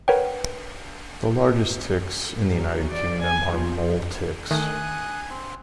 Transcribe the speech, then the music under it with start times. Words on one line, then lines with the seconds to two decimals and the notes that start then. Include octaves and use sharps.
The largest ticks in the United Kingdom are mole ticks.
0.08 A#4 B4 C#5 F#5 G5
2.52 F#3
2.91 D5
3.22 G#5
3.53 F3
4.51 D#3 A3 G#5 D#6 F#6
5.30 C4